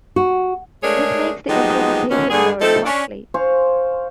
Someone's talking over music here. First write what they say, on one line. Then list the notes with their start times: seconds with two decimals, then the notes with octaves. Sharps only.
This makes the implementation more costly.
0.16 F#4
0.83 G#3 A3 D4 G#4 A#4 C#5
1.49 F3 F#3 G#3 B3 D#4 G4
2.10 A#2 D3 D#3 C#4
2.30 G2 D3 G#4
2.61 F3 A3 C4 D#4 A4
2.85 C#4 D4
3.34 C5 F5 G#5 C#6